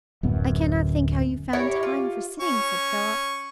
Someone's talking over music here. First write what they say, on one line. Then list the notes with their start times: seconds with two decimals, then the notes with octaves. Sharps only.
'I cannot think how you found time for sitting,' said Philip.
0.23 D1 F#2 B3
1.53 E4 G4 A#4 C#5
1.83 F4
2.40 C#4 C#6